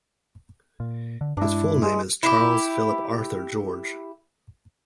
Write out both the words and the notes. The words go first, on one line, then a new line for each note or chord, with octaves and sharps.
His full name is Charles Philip Arthur George.
A#2
D3
G2 G#3 D4 E4
G#3
E4 G4